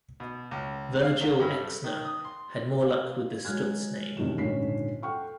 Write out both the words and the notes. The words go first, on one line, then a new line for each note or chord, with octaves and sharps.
Virgil Exner had more luck with the Stutz name.
B2
C#2
F5
C2
G2
A4
D#3
D#6
C6
F5
F#3 G#3 F6 F#6 G#6
A1 F#2 C3 D#3 A3 E7
D#1 G#2 D3 C#4 B6 C7
A4 F#5 G5 C#6 F6